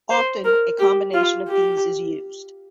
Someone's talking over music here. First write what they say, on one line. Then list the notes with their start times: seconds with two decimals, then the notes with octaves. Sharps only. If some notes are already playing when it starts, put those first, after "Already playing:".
Often a combination of these is used.
0.10 C5
0.45 A#4
0.79 G4
1.14 F4
1.48 G4